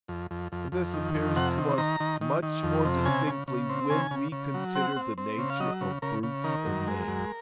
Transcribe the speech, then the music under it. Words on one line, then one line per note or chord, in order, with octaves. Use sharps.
And this appears to us much more distinctly when we consider the nature of brutes and man.
F2
F2
F2
F2
D#3
F2
C3 F#5
D#3
D#3 A#5
D#3
D#3
D#3
F2
C3
C#3 G#5
C#3
C#3
C4
C#3 G#5
C#3
C#3
F#3
C4 F#5
C4
C4
C#3
F5
F#3 D#5
C#3
C#3 A#4
C#3
D#3 A#4
F#2
G#3
F#2